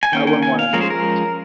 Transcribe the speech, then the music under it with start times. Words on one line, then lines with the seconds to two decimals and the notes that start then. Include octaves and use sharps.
I wouldn't want any of those.
0.03 G#5
0.12 D#3 A#3 C#4 G5
0.27 G5
0.43 G#5
0.59 F5
0.73 F3 G#3 C#4 A#4
0.81 C5
0.90 A#4